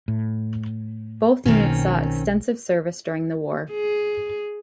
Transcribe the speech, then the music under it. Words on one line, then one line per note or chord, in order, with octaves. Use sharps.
Both units saw extensive service during the war.
A2
B1 B2 D#3 A#3 C4 C#4
G#4